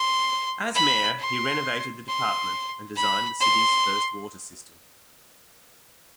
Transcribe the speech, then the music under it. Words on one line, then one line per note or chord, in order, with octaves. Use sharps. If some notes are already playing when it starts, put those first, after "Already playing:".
As mayor, he renovated the department and designed the city's first water system.
Already playing: C6
B5
C6
C6
B5
C6